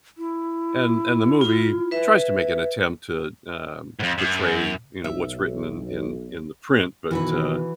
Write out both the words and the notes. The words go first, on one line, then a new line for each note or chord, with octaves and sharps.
and and the movie tries to make an attempt to, um, portray, you know, what's written in in in the print, but, uh,
E4
F4
B4 E5
F2 G#2
F#2
B1 E5
B2 D#3 E3 F#4 B4